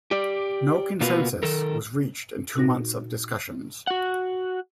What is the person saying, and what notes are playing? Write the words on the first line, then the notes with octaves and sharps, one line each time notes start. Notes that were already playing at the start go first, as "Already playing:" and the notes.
No consensus was reached in two months of discussions.
G4 D5
B2 A#3 B3 F4 F#4 B4
D#3 A4 A#4
A#2 D#4 F#4 A#6
F#4 F#5